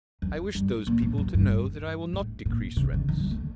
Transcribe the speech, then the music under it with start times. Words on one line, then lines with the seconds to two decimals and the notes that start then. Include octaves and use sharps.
I wish those people to know that I will not decrease rents.
0.22 F#2
0.55 G2
0.87 A#2
1.02 A2
1.18 F#2
1.34 G2
2.13 A2
2.46 A#2
2.77 C3
2.94 D3
3.09 D#3
3.20 F#3
3.31 A3
3.40 D3